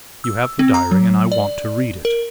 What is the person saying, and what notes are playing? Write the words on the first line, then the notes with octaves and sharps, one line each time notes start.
You have the diary and I want to read it.
E6
C4
A#5
F#3
D5
A#4